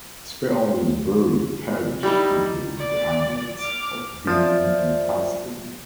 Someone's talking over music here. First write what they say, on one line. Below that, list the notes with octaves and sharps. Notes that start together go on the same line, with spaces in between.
Spelsbury parish includes the hamlets of Dean and Taston.
G3 D#4 E4
D5
D6 F6
F3 C5 D5 E5